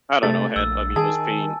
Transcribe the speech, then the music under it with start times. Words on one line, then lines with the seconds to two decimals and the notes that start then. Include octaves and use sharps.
I don't know, had, I mean, I was paying
0.23 C3 A3 A6
0.56 A#1 E6
0.96 D#3 G#4 G#5 A5